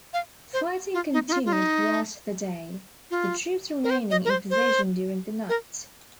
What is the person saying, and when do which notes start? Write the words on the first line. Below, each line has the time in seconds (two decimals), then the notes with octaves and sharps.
Fighting continued throughout the day, the troops remaining in position during the night.
0.13 F5
0.53 C5
0.94 F4
1.13 D#4
1.28 D#4
1.32 F4
1.46 F4
1.53 D#4
3.11 F4
3.84 A#4
3.90 C5
4.11 D#5
4.25 A#4
4.30 C5
4.50 C5
5.49 A#4